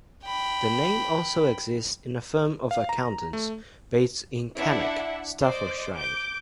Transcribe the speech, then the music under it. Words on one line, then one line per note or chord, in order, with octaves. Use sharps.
The name also exists in a firm of accountants based in Cannock, Staffordshire.
G5 B5
F5
A#5
A3
D4 E4 E5 F#5
C5 D5 D#5 D6
D6 G6 D7